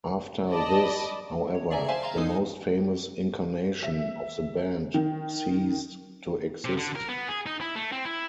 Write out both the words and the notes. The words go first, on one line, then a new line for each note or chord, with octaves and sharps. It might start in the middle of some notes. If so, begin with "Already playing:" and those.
After this, however, the most famous incarnation of the band ceased to exist.
D5 D#5 A5 B5
C#5
G#4 D5 E5 G#5 A#5
C5 E5 F5 G#5 A5 C6
F5 G#5 A#5 C6
E3 D#4 A4 D#5 G#5 D#6
E5
D#3
C3
D3
A#4
B3
G#4
D#4
E4
A3
C4
E4